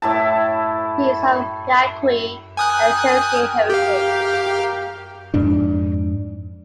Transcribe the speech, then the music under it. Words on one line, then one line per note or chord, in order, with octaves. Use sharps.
He is of Yaqui and Cherokee heritage.
A2 E4 A5
A#4 G5 G#5 D#6 F#6
G4 F5
F2 G#2 D4